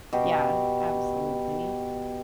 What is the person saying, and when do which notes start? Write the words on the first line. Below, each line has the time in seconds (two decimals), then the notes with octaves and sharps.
Yeah, absolutely.
0.13 B2 G4